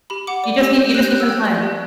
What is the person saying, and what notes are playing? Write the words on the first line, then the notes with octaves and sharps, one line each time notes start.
You just need you just need some time.
G4 B5
F#5 D6
D5 D6
G4 E6
G4 G6
G4 F#6
G6
G4 F#6
E6
G5
D5 F#6
G4